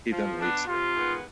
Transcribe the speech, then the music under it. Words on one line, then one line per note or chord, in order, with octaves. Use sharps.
He then leaves her.
F3
B3 D4
C3 F4
D#3 G#3 B3